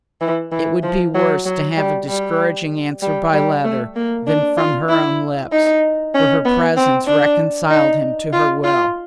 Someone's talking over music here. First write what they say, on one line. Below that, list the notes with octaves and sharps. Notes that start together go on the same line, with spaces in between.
It would be worse to have a discouraging answer by letter than from her own lips, for her presence reconciled him to her will.
E3
E3
F3
F#3
F#3
G3
G3
G3
G3
A3
A#3
D4
F4
E4
D#4
C#4
B3
C4
D4
D#4
F4
F4